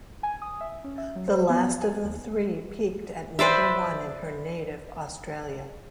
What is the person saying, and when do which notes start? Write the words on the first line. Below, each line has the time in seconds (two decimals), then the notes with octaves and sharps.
The last of the three peaked at number one in her native Australia.
0.23 G#5
0.42 D#6
0.61 E5
0.84 C#4
0.98 E5
1.16 F#3
1.28 C5
1.50 B3
1.82 G#5
2.05 D#2
3.39 B4 C5 D5 E5